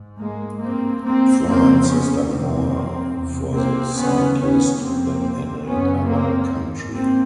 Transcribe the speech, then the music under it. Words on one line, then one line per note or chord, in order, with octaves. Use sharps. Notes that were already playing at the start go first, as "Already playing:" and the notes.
France has done more for the cyclist than any other country.
Already playing: G#2
G#3 A#3
G2 A#3 C4
A#3 C4
F2 C#3 A#3 C4
B3 C#4
F2 C3 A#3 C4
E2 C3
A#3 C4
F#2 C#3 B3 C#4
B3 C#4
F2 C3 A#3 C4
F#2 C#3 B3 C#4
A#3 C4
G#2
A#3 C4